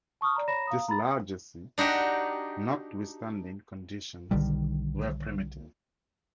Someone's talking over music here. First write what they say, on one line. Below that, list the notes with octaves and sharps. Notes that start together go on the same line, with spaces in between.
This largesse notwithstanding, conditions were primitive.
A5 C#6 D#6 F6
D5 A#5
C#5 A#5 B5 A#6 E7
F5 A#5 D#6
A#5 B5 A6
D4 D#4 F#4 G4
B1 D3 D#3 G3